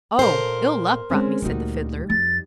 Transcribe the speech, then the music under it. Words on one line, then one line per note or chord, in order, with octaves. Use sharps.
"Oh, Ill-Luck brought me," said the Fiddler.
A#2 A4 A#4 C5
G#3 C4 C#4
D2 A#2 G3 D#4 F#4
F2 A6